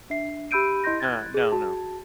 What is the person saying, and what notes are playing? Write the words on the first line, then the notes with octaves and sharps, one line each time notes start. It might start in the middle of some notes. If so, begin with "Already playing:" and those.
Uh, no, no.
D4 E5 C7
G4 B5 E6 G6 D7 D#7
E4 D#5 C6 G6 A#6
F#6 G#6 A6
G#4
F#4 A5